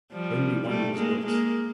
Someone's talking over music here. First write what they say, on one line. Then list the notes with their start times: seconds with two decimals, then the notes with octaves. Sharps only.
Only one was built.
0.12 F3 G3
0.69 G3 A3
0.97 G#3 A#3
1.25 G#3 A#3